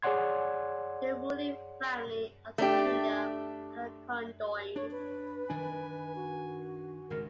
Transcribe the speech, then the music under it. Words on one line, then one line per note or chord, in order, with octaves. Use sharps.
The ruling family of the Kingdom are the conDoins.
G#4 C#5 D5 F#5 C6 G#6
A3 D4 G4
D4 C#5
B4
D#3 D4 G#5
F#4
G#1 C#2 A#4